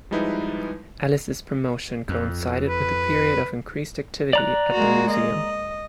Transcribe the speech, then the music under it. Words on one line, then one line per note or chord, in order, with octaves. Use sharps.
Ellis's promotion coincided with a period of increased activity at the museum.
F3 G3 G#3 D#4 E4 B4
F2
B4
D5 A#5 F#6
G#3 A#3 F#4
D#5